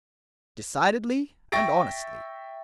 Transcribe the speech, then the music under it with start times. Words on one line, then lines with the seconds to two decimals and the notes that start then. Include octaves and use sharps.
"Decidedly and honestly."
1.52 E5 G5 C#6 A6 A#6 D7